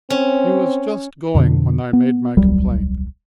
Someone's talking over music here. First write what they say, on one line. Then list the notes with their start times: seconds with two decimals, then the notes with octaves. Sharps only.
He was just going when I made my complaint.
0.10 C4 C#4
1.35 F2 B2 D3
1.93 B3
2.37 D#1 C2 F#3 G3